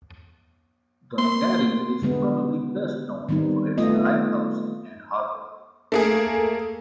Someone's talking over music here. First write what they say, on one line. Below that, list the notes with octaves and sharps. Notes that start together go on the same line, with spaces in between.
Donaghadee is probably best known for its lighthouse and harbour.
A#3 C6
D3 G#3 B3
D#3 G3 B3 C4 D#4
A3 B3 F4 D#5
A3 A#3 G#4